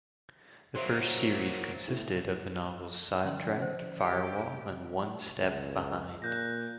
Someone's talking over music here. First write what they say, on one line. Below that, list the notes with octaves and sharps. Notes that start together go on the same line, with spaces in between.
The first series consisted of the novels "Sidetracked", "Firewall" and "One Step Behind".
F#3 A#3 C5 E5
A2
D3 F3 C#4 D5 C6
C5
G4
C#2
A#2 F#6 G6 A#6